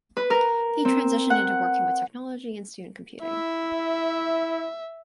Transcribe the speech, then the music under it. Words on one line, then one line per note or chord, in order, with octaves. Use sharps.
He transitioned into working with technology and student computing.
B4
A#4
C4
F#5
E4 E5